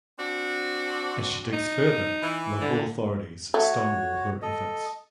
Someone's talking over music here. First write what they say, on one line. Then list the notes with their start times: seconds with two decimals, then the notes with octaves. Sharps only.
As she digs further, local authorities stonewall her efforts.
0.19 C4 D4 F#4
1.53 D#4
2.22 E3
2.61 D3
3.54 A3 F#4 C#5
4.42 A4 D#5